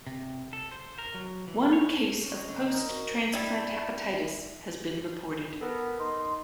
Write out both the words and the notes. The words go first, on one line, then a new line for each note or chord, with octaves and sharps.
One case of post transplant hepatitis has been reported.
C3
A4
C5
A#4
F#3
E3
C#5
C#4
D#5
D3
D#4
A#4
F#4
G3 E4
B3 A4 A#4
D#4 C6